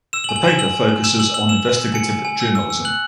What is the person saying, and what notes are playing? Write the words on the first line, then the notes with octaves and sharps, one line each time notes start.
The paper focuses on investigative journalism.
E6 E7
F#7
G#5
F#7
G#5 E7
E6 F#7
G#5
G#5
E6 E7
E6 F#7
E6 F#7
E6 E7
E6
E6
G#5 C#7
G#5
G#5
E6
E6
E6
F#6 F#7